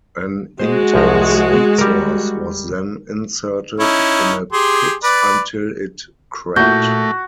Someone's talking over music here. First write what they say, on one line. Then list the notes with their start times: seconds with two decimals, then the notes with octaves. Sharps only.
An intense heat source was then inserted in a pit until it cracked.
0.59 G#3 F#4 C5
0.94 C2 F3 A#5
1.79 G3 A#4
3.80 C#4 D#4 E4
4.52 G4 G#4 C6
5.04 B4 D5
6.56 A#2 A3 A#3 E4 F#4 G6